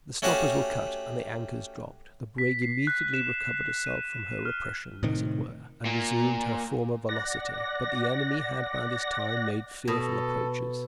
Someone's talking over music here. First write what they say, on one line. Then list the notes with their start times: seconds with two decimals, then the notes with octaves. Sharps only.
The stoppers were cut, and the anchors dropped; the brig immediately recovered herself from her oppression, as it were, and resumed her former velocity; but the enemy had by this time made fearful approaches.
0.22 A3 C#4 F#4 G4 F5 F#5
2.38 B6
2.62 C7
2.87 F#6
3.14 E7
3.87 D#7
4.45 F6
5.03 A2 C3 D#3
5.86 A#2
7.09 D5 F#5 A#6
9.88 B2 A4